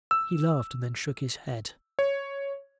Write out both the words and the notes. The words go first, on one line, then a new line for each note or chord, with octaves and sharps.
He laughed, and then shook his head.
E6
C#5